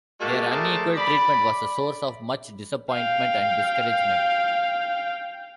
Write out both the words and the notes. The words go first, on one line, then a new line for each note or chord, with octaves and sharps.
Their unequal treatment was a source of much disappointment and discouragement.
G#3 A#3 F#4 G4 E5 A5
A3 G#4 A#4 C5 D5 A5
D5 B5
F5 G5